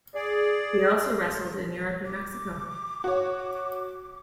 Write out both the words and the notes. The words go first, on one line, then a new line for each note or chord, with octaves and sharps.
He also wrestled in Europe and Mexico.
G#4 D5
D6
F#4 C#5